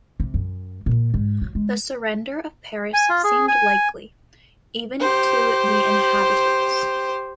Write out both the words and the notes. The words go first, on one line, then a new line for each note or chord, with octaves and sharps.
The surrender of Paris seemed likely, even to the inhabitants.
C3
F#2
A#2
G#2
F#3
G#3
G#5
F4
G#4
G#5
G4 C5